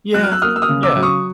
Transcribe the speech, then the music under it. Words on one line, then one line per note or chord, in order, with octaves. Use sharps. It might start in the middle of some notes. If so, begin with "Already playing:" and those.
Yeah, yeah,
F#3 F#6
F6
E6 F#6
A#3 D#6 F6
E6
D#6 F6
C#3
D6 E6
F#3
C#6 D#6